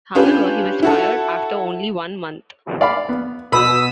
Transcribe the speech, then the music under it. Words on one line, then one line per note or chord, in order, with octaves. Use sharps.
However, he was fired after only one month.
C#4 D4 F4 G4 B4
E4 F#4 A4
D5 F5 B5
B3
B2 B5 D#6 E6 B6